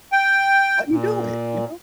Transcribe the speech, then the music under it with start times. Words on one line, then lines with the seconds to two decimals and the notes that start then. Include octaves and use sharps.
"Let me do it, you know?"
0.12 G5
0.91 A#2